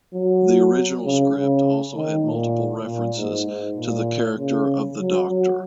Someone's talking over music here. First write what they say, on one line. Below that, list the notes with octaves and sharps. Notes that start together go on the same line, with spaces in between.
The original script also had multiple references to the character of the Doctor.
F#3
C#3
C#3
D#3
A#2
A#2
G#2
G#2
A#2
C#3
F#3
F#3